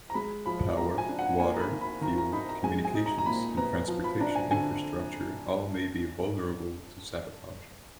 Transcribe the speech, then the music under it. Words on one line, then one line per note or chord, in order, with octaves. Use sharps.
Power, water, fuel, communications, and transportation infrastructure all may be vulnerable to sabotage.
A#5
G#3 B5
F3 B5
F3 A#5
G#5
D4
F#5
A#3 G#5
A#5
B5
D#3
B5
D#3 A#5
A#5
D#4 B5
A#5
G#3 G#5
G#5
D#4
A#5
A#5
A#2 B5
B3 A#5
F3
B5
D4 A#5
G#5
D3 G#5